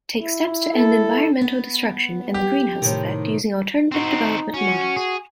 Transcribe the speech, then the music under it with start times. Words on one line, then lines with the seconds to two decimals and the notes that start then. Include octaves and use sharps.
Take steps to end environmental destruction and the greenhouse effect using alternative development models.
0.20 E4
0.73 A4
1.41 B3
2.34 G4
2.82 A2 C3 D#3
3.91 C4 D#4 F#4
4.54 C#4 F#4
4.97 G#4